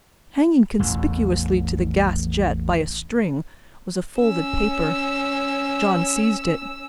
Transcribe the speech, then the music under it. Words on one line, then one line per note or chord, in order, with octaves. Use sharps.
Hanging conspicuously to the gas jet by a string was a folded paper. John seized it.
A1 E2
C#4 E6